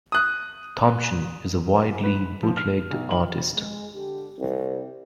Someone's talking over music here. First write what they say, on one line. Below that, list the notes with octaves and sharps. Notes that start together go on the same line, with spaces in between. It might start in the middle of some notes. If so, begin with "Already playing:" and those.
Thompson is a widely bootlegged artist.
D#6 F#6
B4
F3
F6
B1
F#7
G#3
D3 G4
C2 C3 G3 C4